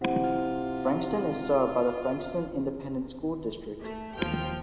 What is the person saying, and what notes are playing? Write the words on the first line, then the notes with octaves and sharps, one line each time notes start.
Frankston is served by the Frankston Independent School District.
C3 E4 C5 F#5
F4
A3
D#2 F3 G5 F6